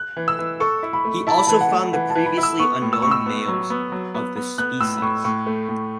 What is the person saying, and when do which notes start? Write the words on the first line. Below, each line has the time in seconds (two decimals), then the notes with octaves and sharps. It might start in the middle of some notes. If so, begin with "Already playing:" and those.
He also found the previously unknown males of the species.
Already playing: F#6
0.17 E3
0.28 E6
0.39 E3
0.60 A4 C#6
0.83 E4
0.93 B5
1.05 A3
1.27 E4 A5
1.37 B5
1.47 E3 A5
1.61 F#5
1.71 A3
1.93 E3 F#5
2.10 A5
2.15 E3
2.26 B5
2.37 E4
2.43 E6
2.59 B3 C#6
2.82 A2
2.93 E6
3.02 A2 C#6
3.11 E6
3.26 B3
3.48 F#3
3.70 B3
3.92 F#3
4.14 B3
4.36 B3
4.58 B3 F#6
4.80 A2 E6
4.97 B5
5.02 A2 C#6
5.24 A2 C#6
5.46 A3
5.69 A2